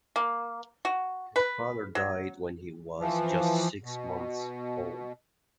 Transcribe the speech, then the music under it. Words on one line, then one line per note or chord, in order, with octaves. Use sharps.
His father died when he was just six months old.
A#3
F#4
B4
F#3
E3 F3
B2